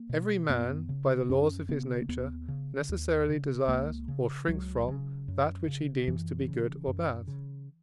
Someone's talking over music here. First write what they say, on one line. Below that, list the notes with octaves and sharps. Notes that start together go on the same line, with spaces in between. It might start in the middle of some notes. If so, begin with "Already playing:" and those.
Every man, by the laws of his nature, necessarily desires or shrinks from that which he deems to be good or bad.
Already playing: A#3
B2
F#2 B3
C#3
F#2 C#4
C#3 B3
A#3
D#2 B3
C#3
D#2
C#3
C#2 A#3
C#3
C#2 F#3
C#3
F#2
C#3
F#2 E3
C#3
F#2
C#3